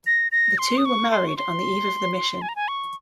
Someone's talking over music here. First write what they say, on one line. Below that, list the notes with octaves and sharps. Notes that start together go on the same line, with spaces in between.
The two were married on the eve of the mission.
A#6
A#6
C6
D#6
C#6
C6
C#6
C6
G#5
A#5
G#5
C#6